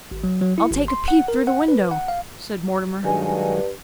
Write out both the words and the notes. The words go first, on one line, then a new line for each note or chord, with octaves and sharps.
'I'll take a peep through the window,' said Mortimer.
G#1
F#3
F#3
E4
G#1
C6
F#5
A#4
F#5
B4
F#5
F5
G2 D#3 F#3 G#3 G#5